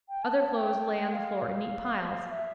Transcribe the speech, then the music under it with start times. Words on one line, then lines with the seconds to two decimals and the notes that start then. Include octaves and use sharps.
Other clothes lay on the floor in neat piles.
0.08 G5
0.23 A5
0.37 A5
0.53 G5
1.12 F5
2.31 E5